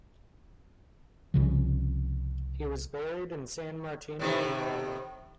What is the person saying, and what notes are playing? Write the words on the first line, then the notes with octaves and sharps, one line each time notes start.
He was buried in San Martino in Murano.
C2 C#3 F3
A2 C3 D#3